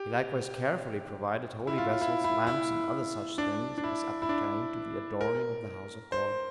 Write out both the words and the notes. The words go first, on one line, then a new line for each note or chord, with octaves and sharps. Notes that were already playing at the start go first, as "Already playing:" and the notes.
He likewise carefully provided holy vessels, lamps, and other such things as appertain to the adorning of the house of God.
Already playing: G4
E4
F4
F4
E4
E4
E4
D4
D4
E4
E4
D4
A#4
C5